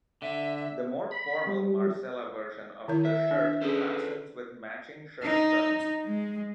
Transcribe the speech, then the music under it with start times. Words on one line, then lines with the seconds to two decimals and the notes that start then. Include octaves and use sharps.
The more formal marcella version of the shirt fastens with matching shirt studs.
0.22 D3 E5
1.11 B5
1.47 G3
2.88 D#3 E4 C#5
3.05 E5
3.31 D4
3.61 C#4 G#4 A4 B4 C5
5.22 D#4
6.04 G#3